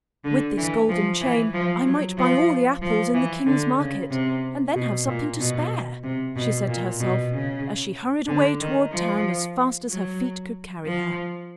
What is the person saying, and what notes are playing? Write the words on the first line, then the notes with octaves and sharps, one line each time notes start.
"With this golden chain I might buy all the apples in the king's market, and then have something to spare," she said to herself, as she hurried away toward town as fast as her feet could carry her.
D3
E3
F3
E3
F3
F#3
F3
F3
E3
D3
C#3
C3
B2
A#2
B2
C3
B2
A#2
B2
C#3
D3
D#3
F3
F#3
F3